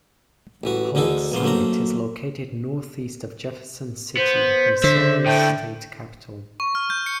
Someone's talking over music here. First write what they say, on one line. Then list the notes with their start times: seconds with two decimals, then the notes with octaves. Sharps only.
Holts Summit is located northeast of Jefferson City, Missouri's state capital.
0.64 A1 E3 F#4
0.95 D2 D3 D#4 G#4 A4
1.32 A#1 A#3 B3 C6
1.43 F#2 A3 A#3 C5 A#5
4.17 B3 C5
4.84 D3 E5
5.26 A2 A3 G5
6.60 C#6
6.75 F6
6.90 G6
7.06 C#7